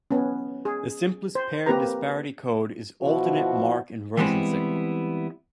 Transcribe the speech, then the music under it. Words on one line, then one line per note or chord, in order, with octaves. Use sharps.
The simplest paired disparity code is alternate mark inversion signal.
B3 C#4
G#4
C5
A#3 C4 G4 A#4 B4 A#5
B2 F3 E4 F#4
E3 G3 G#3 B3 C4 E4